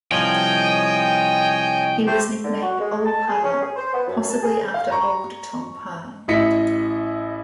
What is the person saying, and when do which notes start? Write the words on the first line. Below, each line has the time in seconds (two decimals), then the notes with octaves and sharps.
He was nicknamed "Ole Parr", possibly after Old Tom Parr.
0.11 C2 F3 C#5 D#5 G5 G#5
2.07 A3 G4 C5
2.44 D3
2.62 F#4
2.80 G#3
3.05 A5
3.28 G#4
3.44 C#4
3.61 G#4
3.76 C5
3.94 B3
4.07 F#2
4.29 A5
4.43 G#4
4.74 F5
4.91 A#5 C#6
6.28 A1 E4 D#5 B6 C#7